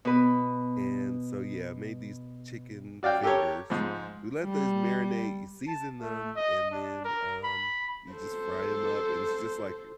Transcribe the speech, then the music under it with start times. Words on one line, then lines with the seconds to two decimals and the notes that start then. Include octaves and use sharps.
and so, yeah, made these chicken fingers. We let those marinate, you season them, and then, um, you just fry 'em up and it's just like re
0.05 B2 B4
3.03 F#4 D5 F5 G5
3.23 G4 A4 A#4 C#5
3.70 G#2 F3
4.42 G3
5.67 A5
6.01 A3
6.36 D#5
6.72 D4
7.05 A#4
7.44 B5
8.12 A4 C5